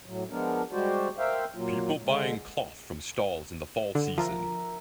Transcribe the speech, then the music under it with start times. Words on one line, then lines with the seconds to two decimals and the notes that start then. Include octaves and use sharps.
People buying cloth from stalls in the fall season.
0.06 A2 F#3
0.30 F3 G#3 B3 D4 A#4
0.72 G3 G#3 F#4 G4 C5 D5
1.18 A#4 C5 E5 F5 G5
1.54 A#2 F#3 A#3 F4
2.03 D3 G#3
3.95 D3 F#5
4.18 F3 A#4 E5 A#5